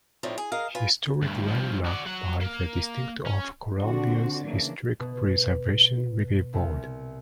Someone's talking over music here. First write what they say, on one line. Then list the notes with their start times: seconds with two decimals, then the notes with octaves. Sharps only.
Historic Landmark by the District of Columbia's Historic Preservation Review Board.
0.23 A2 F3 C4 D4 D#4
0.38 G#4
0.52 G#4 A#4 D#5 F5
0.75 F4 B4 G#5
1.22 D2 G2
1.47 G2 F3
1.86 F#4 D5
2.06 F#3 F#5
2.41 A#3
3.26 C#4
3.81 D3 C4 D4 F#4
4.42 C#3 E3 A#3 D4
5.00 B2
6.53 C2